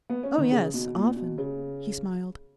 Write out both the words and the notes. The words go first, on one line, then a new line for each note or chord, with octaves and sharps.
'Oh yes, often.' He smiled.
B3
C#4
D#3
C#3
B2
A#2
B2
C#3